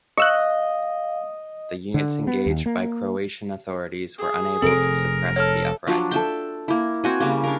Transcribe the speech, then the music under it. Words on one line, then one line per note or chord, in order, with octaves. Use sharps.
The units engaged by Croatian authorities were unable to suppress the uprising.
D#5 F5 C#6 E6 F#6
D3
B3
D#2
A#3
G#4
F1 C4 A4 A#4 D7
A4 C#5 F6
F3 F#3 D4
A4 E5 G5
A#3 E4
C4 F#4 G#5
C#3 G3 A#3
D4 A#4